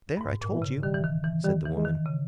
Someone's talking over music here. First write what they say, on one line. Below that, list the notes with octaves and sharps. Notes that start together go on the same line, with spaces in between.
"There, I told you!" said the woman.
G2
G#2
A#2
E3
C#3
D#3 G3
E3
D#3
E3
D#3 G3
E3
G#3
D#3
C#3